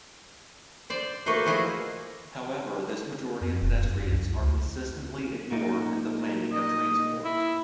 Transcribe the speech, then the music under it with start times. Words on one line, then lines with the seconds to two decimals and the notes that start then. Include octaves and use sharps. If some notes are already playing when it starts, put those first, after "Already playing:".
However, this majority of pedestrians are consistently ignored in the planning of transport.
0.90 C5 D5
1.26 A3 A#3 F#4 B4 C5
1.45 F3 E4 F#4 G#4 D#5 F5
3.41 F2
3.61 E1
3.84 F#2
4.09 C2
4.39 D2
5.51 A#2 D#4
6.52 D#5
7.24 E4